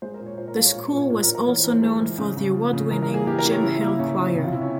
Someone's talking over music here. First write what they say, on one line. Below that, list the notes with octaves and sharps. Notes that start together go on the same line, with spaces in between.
The school was also known for the award winning Jim Hill Choir.
G#3 C5
A#4
A#2
C#5
A#2 C5
A#4
G#3 F4
C#5
A#2
A#2
C#5
A#2 C5
A#4
A#2
A#4
E3 C#5
C5
E3 A#4
C5
G#3 C5
E3
C#3
C#3
F3
C#3
E3 A#4
A#4
A#3
G#4
E3 G4
A#4
E3
C#5
C#3 E4
E4
A#3
E4
C#3 C#4
C#3
C3 E4
F4
C3 E4
C#4